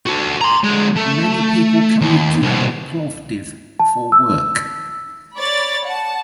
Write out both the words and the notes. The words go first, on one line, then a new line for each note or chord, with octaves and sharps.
Many people commute to Plovdiv for work.
F#4 A4
A#5 C6
D3 G#3
A3
D#2
C2 B2
A5
E6
C#5 D5 B5 A6
F#5 A5